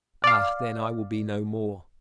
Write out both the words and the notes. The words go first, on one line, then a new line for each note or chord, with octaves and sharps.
Ah! then I will be no more!
D5 F5